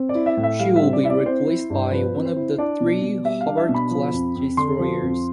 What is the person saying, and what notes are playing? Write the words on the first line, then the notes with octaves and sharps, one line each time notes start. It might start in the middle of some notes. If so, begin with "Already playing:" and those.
She will be replaced by one of the three "Hobart"-class destroyers.
Already playing: C4
D5
E4
E5
A2
E5
G3 F5
E5
C4
D5
E4 E5
D5
C4 C5
E4
G2
F3 B4
C4
C5
E4
D4 D5
B2
B2
G3 E5
F5
D4
E5
B2
B5
F3
F2
F2
D3 C6
F3
F2